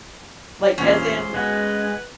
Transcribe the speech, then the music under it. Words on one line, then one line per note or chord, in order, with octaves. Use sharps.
Like, as in
E2 G2 A#2 C#4 C5
G#3 B3 F#4 B4